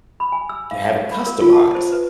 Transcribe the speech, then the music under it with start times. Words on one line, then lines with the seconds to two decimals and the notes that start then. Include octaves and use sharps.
ge have it customized.
0.20 B5
0.32 G#5
0.49 E6
0.71 F5
0.85 F5
1.12 B5
1.27 A#4
1.41 F4
1.53 A5
1.75 C5
1.92 B4